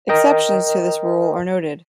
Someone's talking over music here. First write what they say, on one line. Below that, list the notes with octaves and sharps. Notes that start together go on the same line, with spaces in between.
Exceptions to this rule are noted.
A#4 D#5 G5